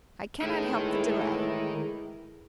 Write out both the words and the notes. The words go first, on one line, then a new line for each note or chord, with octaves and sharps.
"I cannot help the delay."
A2 D#3 E3 G#3 E4